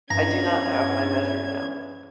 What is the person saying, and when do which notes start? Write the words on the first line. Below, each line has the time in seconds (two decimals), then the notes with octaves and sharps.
I do not have my measure now.
0.11 E2 G2 C#4 A#5 G#6